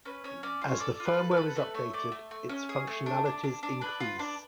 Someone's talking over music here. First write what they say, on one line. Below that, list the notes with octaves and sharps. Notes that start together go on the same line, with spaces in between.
As the firmware is updated, its functionalities increase.
C#4 B4
C#4 C#5
C#4 D5
F4
C#5
A4 D5
F4
B4
A4
B4
A4
A3 B4
A3 C#5
A3 D5
A3
A3
C#4
G#4
A3
D4
D4
D4
D4
D4 B4
F4
D4